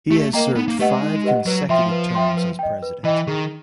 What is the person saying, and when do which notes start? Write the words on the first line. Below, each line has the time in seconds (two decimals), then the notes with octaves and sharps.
He has served five consecutive terms as president.
0.11 A3 G4
0.33 A#3 A#4 D#5 G5 A#5
0.56 B3 D#4
0.68 A#3
0.79 A3 G4 B4 D#5 F#5
0.89 G#3
1.02 D#4
1.24 G4 B4 D#5 F#5
1.46 F#3 B4
1.69 F3 E5 G5 C6
1.91 B4
2.15 E5 G5 C6
2.37 B4
2.59 D#5 G5
2.83 B4
3.04 E3 D#5 G5
3.27 D#3 G#4